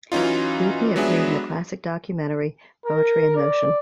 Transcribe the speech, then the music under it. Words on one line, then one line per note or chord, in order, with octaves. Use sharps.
Dewdney appeared in the classic documentary "Poetry in Motion".
E3 F#3 C#4 D#4 F4
F#3 G#3 B3 D4 G#4 E5
A#4
D5